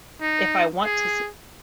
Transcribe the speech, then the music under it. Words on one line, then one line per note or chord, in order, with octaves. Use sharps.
if I want to see."
D#4
G#4